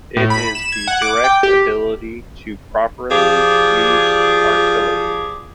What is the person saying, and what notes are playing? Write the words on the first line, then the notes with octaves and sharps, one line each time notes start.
It is the direct ability to properly use artillery.
A2
B5
E7
G#6
F#5
D6
G5
G4
F3 F4 G4 G#4 D5